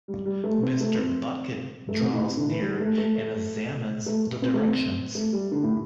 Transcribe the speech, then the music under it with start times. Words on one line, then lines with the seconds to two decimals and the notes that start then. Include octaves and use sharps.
Mr. Bucket draws near and examines the directions.
0.08 G3
0.26 G3
0.44 A3
0.63 C4
0.81 A3
0.98 C4
1.89 A3
2.01 C3
2.13 A2
2.25 C3
2.37 D3
2.49 E3
2.61 G3
2.80 A3
2.98 A3
4.06 A3
4.42 C4
4.54 A3
4.67 C4
5.15 A3
5.33 G3
5.51 D3
5.63 A2